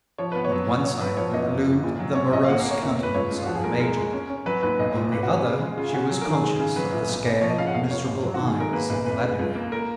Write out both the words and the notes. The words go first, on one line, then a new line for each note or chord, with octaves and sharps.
On one side of her loomed the morose countenance of the Major, on the other she was conscious of the scared, miserable eyes of Vladimir.
F3 C#5
B3 B4
C#5
F#3
A#2
F#3 C#5
F#3 B4
F3 C#5
F#1 D#5
F#1
F#1
A#2
F#3
C#4 C#5
A#1 D#5
F5
A#3 F#5
F5
A#3
C#5
F1
F1 B4
C#2 C#5
C#2
F4
F3 F#4
G#4
D#2 A#4
G#3 A#4
G#3
C#4
C#4
F#3 B4
D#2 B4
B1 D#5
A#2
G#1 B4
F#4
G#3 G#4
C#3
G#3
C#3 F4
G#4
C#4 F#4
F#3 G#4
A#4
D#3
G#4
G#3
C#3
F#3 B4
A#1
B1
B1
F3 C#5
D#5
C#3 F5
F#5
F1 F5
F1 C#5
G#1
F#3
F#4
D#3
G#4
G#3 A#4
A#3 B4
B1 B4
F1 B4
C#3
C#2
A#3
A#4